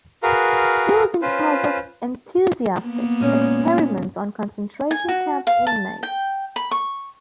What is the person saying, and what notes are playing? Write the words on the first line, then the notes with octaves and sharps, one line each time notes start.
He was in charge of "enthusiastic" experiments on concentration camp inmates.
F#4 G#4 A#4 B4 F5
C#4 F4 B4 C5
A#3 B3
A#2 G#3 C#4
G#5
F#4
F5
A5
G5
B5
C#6